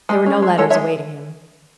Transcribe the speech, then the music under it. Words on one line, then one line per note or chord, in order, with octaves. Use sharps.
There were no letters awaiting him.
G#3
C#4
G#3
G#3 A4 C#5
C#5 E5
G#3